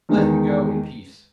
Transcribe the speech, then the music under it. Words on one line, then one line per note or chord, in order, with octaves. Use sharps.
Let him go in peace.'
E2 D#3 G#3 D#4